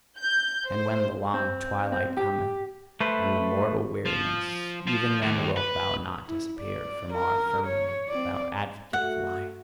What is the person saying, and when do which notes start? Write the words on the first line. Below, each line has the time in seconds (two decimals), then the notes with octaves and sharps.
And when the long twilight cometh and the mortal weariness, even then wilt thou not disappear from our firmament, thou advocate of life!
0.16 G6
0.68 C5
1.34 C4
1.92 C4
2.17 G4
3.01 A3 B4 C5
4.06 F3
4.87 F3
5.22 D#2
5.57 B4
6.27 E4
6.60 D5
7.13 A#4
7.66 C#5
8.09 C4 D5
8.93 A3 F#4 F#5